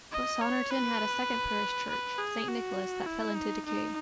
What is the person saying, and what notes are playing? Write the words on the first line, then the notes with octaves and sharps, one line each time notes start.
But Saunderton had a second parish church, Saint Nicholas, that fell into decay.
D#5
C#5
B4
B4
G#4
F#4
E4
D#4
D#4